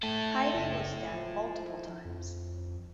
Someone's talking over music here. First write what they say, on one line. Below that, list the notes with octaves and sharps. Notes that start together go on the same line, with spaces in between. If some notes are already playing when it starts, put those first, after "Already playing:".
Heidi was stabbed multiple times.
A3 E4 A4
F#1
F3
F2